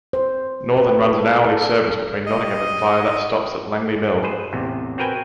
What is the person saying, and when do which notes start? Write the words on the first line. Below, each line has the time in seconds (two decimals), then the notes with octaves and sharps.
Northern run an hourly service between Nottingham and via that stops at Langley Mill.
0.13 C5
0.77 B4
1.09 A4
1.45 A4
2.26 D#5
4.23 G#4 B4 C5
4.53 A1 E2 C3
4.98 C4 F#4 A#4 B4 G5 G#5